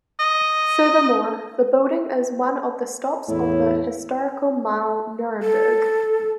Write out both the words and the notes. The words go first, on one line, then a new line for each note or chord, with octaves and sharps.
Furthermore, the building is one of the stops of the "Historical Mile Nuremberg".
D#5
E2 A2 E4 C#5
A4